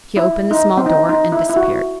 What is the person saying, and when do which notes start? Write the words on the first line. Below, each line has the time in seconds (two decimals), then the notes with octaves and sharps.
He opened a small door and disappeared.
0.17 E4
0.51 D#4
0.78 C4
0.86 D#4
1.09 D#4
1.32 E4
1.50 E4
1.56 F#4